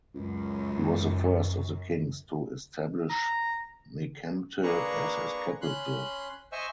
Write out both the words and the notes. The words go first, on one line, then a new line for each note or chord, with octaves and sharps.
He was the first of the kings to establish Nekemte as his capital.
C#2 F#2
A#5
A#3 D4 G#4 B4 A#5 C#6
C#4 B5 C6 F#6
C5 D#5 E5 G#5 C#6 E6